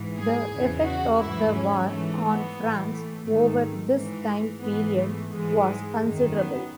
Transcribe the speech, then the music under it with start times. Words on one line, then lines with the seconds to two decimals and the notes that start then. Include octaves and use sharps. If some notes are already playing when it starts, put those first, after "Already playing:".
The effect of the war on France over this time period was considerable.
Already playing: G#2 E3
0.16 G#4
0.50 E2 C#3 E3
0.85 F#4
1.18 G#2 E3 E4
1.53 C#4
1.87 G#2 E3 A3
2.22 B3
2.56 A2 E3
2.91 A3
3.25 G#2 D#3 A3
3.94 G#2 E3
4.62 G#2 E3 B3
4.97 A3
5.31 G#2 E3 G#3
5.99 F#2 D#3
6.34 B3